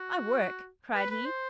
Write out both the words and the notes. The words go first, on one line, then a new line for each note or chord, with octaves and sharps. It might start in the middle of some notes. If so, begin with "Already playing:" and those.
"I work!" cried he.
Already playing: F#4
B4
B4
C5